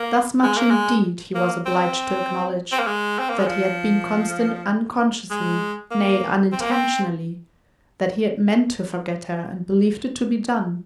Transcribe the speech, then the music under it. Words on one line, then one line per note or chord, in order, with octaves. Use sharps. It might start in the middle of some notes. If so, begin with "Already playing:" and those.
Thus much indeed he was obliged to acknowledge: that he had been constant unconsciously, nay unintentionally; that he had meant to forget her, and believed it to be done.
Already playing: A#3
G#3
A#3
G#3
A#3
C4
C4
A#3
G#3
C4
A#3
G#3
F3
G#3
A#3
C4
A#3
C4